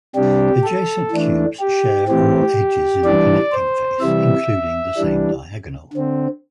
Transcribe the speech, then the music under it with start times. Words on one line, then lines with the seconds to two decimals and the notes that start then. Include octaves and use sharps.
Adjacent cubes share all edges in the connecting face, including the same diagonal.
0.15 C3 G3 D4 G4
0.64 A4
1.12 E3 A3 D4
1.60 G4
2.08 A2 E3 C4 G4
3.04 E3 G3 D4 D5
3.52 C5
4.00 C3 E3 G3 E5
4.97 E3 G3 D4
5.93 D3 C4